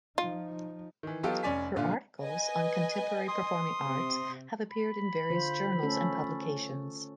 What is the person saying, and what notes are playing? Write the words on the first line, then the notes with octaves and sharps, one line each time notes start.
Her articles on contemporary performing arts have appeared in various journals and publications.
F3 D#4 F4
D#3 E3
F#3 B3 D#4 F4 G4 A4
F1 C#4 D5 G#5 B6
A#2 D3 F4
B4 D#5 G#5
C6 D#6
C3 C4
B5
D3 F4 C5
A3 C#4 A4